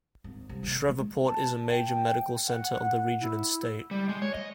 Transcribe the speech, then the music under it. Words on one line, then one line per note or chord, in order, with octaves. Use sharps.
Shreveport is a major medical center of the region and state.
G#1
C2
D#3 A#3
G#3
A5
G5
F#5
E4
G3
G#3
C#5
D#5